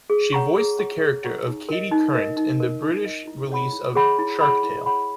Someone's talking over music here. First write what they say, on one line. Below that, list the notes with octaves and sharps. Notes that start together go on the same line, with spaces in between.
She voiced the character of Katie Current in the British release of "Shark Tale".
G#4
C#5 F#5 A#5 C#6
G#4
C#5 F#5 A#5 C#6
G#4
C#5 F#5 A#5 C#6
D#4
A#4 D#5
D#4
A#4 D#5
D#4
A#4 D#5
D#4
A#4 D#5
E4
G#4 C#5 F#5 B5
E4
G#4 C#5 F#5 B5
E4
G#4 C#5 F#5 B5
E4
G#4 C#5 F#5 B5